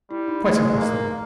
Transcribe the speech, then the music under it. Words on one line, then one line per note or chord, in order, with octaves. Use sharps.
Quite impossible!
G3 E4
D#4
G#3 A3
A#3